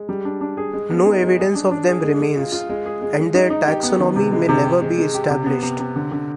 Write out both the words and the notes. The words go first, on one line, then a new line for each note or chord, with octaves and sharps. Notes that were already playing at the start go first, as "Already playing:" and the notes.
No evidence of them remains, and their taxonomy may never be established.
Already playing: G#3
G3
D4
D4
G#4
G#3
B3
D#4
G#3
G#4
D4
D4
G#4
G#3
G#3
F4
F4
G#3
G#4
G#3
G#3
D#4
D#4
G4
B3
D#3
C3
G#3
C3
G4
G#3
G#3
G4
C3
B3
C3
C3
D3
D3